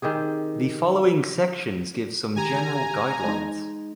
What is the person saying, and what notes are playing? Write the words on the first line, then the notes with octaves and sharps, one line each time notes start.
The following sections give some general guidelines.
D#3 C4 G4 G#4
D#3 G4 G#5 A#5
G#3 D#4